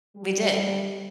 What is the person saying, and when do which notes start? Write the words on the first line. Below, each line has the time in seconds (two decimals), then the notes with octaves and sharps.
We did.
0.16 G3